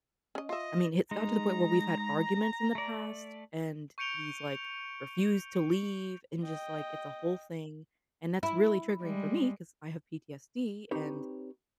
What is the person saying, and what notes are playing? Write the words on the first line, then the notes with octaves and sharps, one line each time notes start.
I mean, it's gotten to the point where we've had arguments in the past, and he's, like, refused to leave and just, like, it's a whole thing. And that's really triggering for me 'cause I have PTSD and,
C#4 D#5
F4 D#5 E5
G#3 D#4 A#5
A3 D5
C#6 G6 C#7 D7 F7 G7
D#5 G5
E4
G3 G#3
C4 D#4 G4 B4 C#5